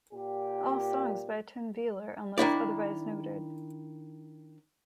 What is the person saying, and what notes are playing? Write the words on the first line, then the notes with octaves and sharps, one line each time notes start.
All songs by Tim Wheeler unless otherwise noted.
A#2 G4
D#3 D4 E4 D5